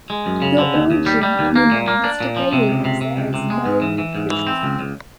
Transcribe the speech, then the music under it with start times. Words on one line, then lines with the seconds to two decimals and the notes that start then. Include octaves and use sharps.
The origin of the name is debated as there is no proof.
0.10 G#3
0.26 F#2
0.42 C#3
0.58 D3
0.74 D#2
0.91 D#2
1.06 G3
1.23 G3
1.39 D#2
1.56 A#3
1.72 A#2
1.88 A#3
2.04 D4
2.20 A#2
2.36 F3
2.53 C3
2.69 C#2
2.85 C3
3.01 C3
3.17 C#2
3.34 C3
3.50 G#3
3.66 G#2
3.82 E3
3.98 E3
4.15 G#2
4.31 E3
4.47 C4
4.63 C#2
4.79 C#2